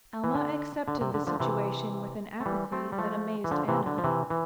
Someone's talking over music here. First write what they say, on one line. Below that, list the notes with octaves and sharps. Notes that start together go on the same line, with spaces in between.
Alma accepted the situation with an apathy that amazed Anna.
E3
D3
D3
C3
D3
D3 F3
C3 E3
A3
E3 G3
A3 C4
G3
F3 A3
E3
D3 F3
C3 E3
D3
F3
C3 E3
E3